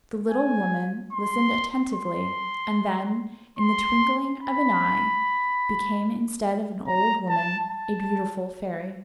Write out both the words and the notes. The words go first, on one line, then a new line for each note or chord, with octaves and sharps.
The little woman listened attentively, and then, in the twinkling of an eye, became, instead of an old woman, a beautiful fairy.
G#5
C6
C6
C6
B5
A#5
A5
A5